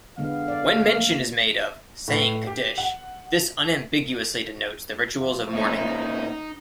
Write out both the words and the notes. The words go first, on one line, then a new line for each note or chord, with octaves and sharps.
When mention is made of "saying Kaddish", this unambiguously denotes the rituals of mourning.
D3 G#3 B3 F5
D5
A#3
A2 B4 C7
G4
F#5
C3 F3
A#2 C#3 D#4